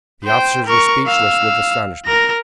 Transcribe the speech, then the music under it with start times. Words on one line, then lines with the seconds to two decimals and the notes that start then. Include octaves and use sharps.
The officers were speechless with astonishment.
0.24 C5 G5
0.66 A#4 C#6
1.06 F5 E6
2.06 A#4 A#6